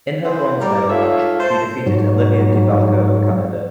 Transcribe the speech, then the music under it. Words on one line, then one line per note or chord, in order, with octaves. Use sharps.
In her bronze medal match she defeated Olivia Di Bacco of Canada.
E3 B3 C5
G3 A#4 D5
G#2 F4 A4 C#5 E5 F5
C5 A5
G#2 F#3